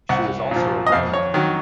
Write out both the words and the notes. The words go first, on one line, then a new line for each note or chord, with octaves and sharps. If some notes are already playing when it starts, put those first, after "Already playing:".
She is also a grandmother.
C2 F#5
A#2 F3
D#5
F2 F5
C#5
D#3 F#3